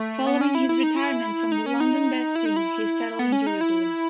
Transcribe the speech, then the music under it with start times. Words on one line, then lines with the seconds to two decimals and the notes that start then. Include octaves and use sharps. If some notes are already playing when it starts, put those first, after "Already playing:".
Following his retirement from the London Beth Din, he settled in Jerusalem.
Already playing: A3
0.27 B3
0.41 C#4
0.55 E4
0.69 E4
0.83 D#4
0.96 E4
1.52 D#4
1.66 C#4
1.80 D#4
2.35 E4
2.46 D#4
2.56 E4
3.19 B3
3.32 C#4
3.47 D#4
3.61 E4